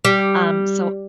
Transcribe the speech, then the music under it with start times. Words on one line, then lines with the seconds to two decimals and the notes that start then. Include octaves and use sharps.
um, so
0.05 G3